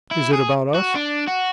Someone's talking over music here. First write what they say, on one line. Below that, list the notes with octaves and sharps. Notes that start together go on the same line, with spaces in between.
"Is it about us?"
E4
G#4
F#4
D4
F#4